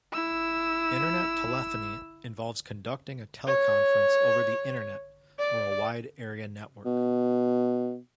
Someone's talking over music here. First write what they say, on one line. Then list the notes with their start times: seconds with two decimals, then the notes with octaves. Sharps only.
Internet telephony involves conducting a teleconference over the Internet or a Wide Area Network.
0.13 E4 E6
3.47 C#5
5.40 D5
6.85 B2